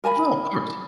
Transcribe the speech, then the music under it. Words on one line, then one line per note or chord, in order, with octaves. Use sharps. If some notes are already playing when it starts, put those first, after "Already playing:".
No, of course.
A#4 G#5 A5 B5